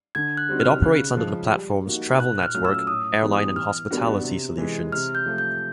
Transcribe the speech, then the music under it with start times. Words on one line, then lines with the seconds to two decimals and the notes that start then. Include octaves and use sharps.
It operates under the platforms Travel Network, Airline and Hospitality Solutions.
0.15 D3 G#6
0.37 F#6
0.49 G3 C4 D#4 F#4
0.60 F6
0.83 C#3 F#6
1.17 F3 G#3
1.51 G3
1.86 A#3 D#4 F#4
2.20 A#2 F#6
2.43 F6
2.54 F#3 A3 C#4 F4 F6
2.65 E6
2.87 A2 D#6
3.23 E3 G3 B3
3.33 D#6
3.56 E3 F6
3.91 G3 B3 D4 F#4
4.24 C3
4.58 E3 G#3
4.92 C3 F6
5.15 G6
5.26 F3 A3
5.38 G6